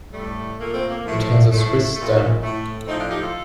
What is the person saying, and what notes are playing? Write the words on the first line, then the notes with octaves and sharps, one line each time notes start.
It has a Swiss stamp.
A2 G3 A3
A#2 A3 A#3
A3 C4
A#3
A2 F3 A3
A2 F3 A3
A#2 A3
A2 A3
A2 F3 A3 C4 D#4
D4 F4
D#4 G4
F4 A4